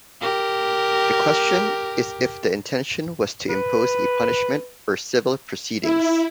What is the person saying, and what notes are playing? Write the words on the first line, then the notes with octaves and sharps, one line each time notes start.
The question is if the intention was to impose a punishment or "civil proceedings".
G4 A#4
B4
E4